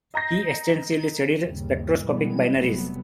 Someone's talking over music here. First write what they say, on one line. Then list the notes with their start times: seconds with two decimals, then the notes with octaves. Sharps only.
He extensively studied spectroscopic binaries.
0.14 D#5 A#5 G6 A#6 C7
1.45 G1 D#2 C#3 G3
2.05 B2 E3 G3 G#3 B3
2.55 F1 C3 F#3 G3 A3 B3